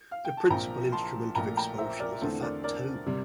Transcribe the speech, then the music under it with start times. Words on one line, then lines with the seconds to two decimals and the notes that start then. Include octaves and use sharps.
The principal instrument of expulsion was a fat toad.
0.11 F5
0.25 G5
0.37 A5
0.50 A#1 A#2 F3 C4 G5 A#5
0.92 A5 C6
1.35 A#1 A#2 A3 G5 A#5
1.57 G5 A#5
1.78 C5 E5
1.99 A#4 D5
2.21 E2 D3 A3 C4 A4 C5
2.42 A#4 D5
2.64 A#4 D5
3.06 C3 G3